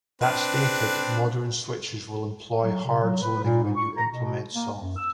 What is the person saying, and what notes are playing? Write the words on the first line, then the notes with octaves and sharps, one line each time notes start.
That stated, modern switches will employ hard zoning when you implement soft.
C4 D4 B4
F#3
C3
F#3
B4
A#2
G#2
C#6
A#5
B2
A#3
F#2
E6